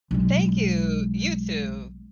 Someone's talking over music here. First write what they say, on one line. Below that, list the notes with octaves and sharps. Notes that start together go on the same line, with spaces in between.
Thank you. You too.
B1 G#3